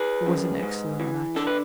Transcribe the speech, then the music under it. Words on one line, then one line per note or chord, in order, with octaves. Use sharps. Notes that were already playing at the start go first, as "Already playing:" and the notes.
It was an excellent match.
Already playing: G#4 B4
F#2
G#2
E3
D3 A4
B4